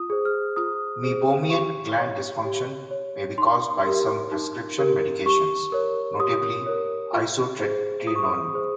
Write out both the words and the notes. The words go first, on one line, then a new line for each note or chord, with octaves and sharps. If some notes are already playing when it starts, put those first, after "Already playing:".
Meibomian gland dysfunction may be caused by some prescription medications, notably isotretinoin.
Already playing: F4 D#6
G#4 C5
F6
F4 D#6
G#4 C5
G4 C#6
C#5
G4
C#5
D#4 C6
G4 A#4
D#4
G4 A#4
G4 C#6
A#4 C#5
G4 D#6
A#4 C#5
F4
G#4 C5
F4 D#6
C#6
D#6
G#4 C5